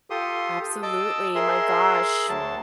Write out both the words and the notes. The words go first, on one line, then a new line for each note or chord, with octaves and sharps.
Absolutely, my gosh.
F4 G4 A4 C6 D#6
D#5 A5 D6 E6
G#4 A#4 E5 C6
D2 F#3 A5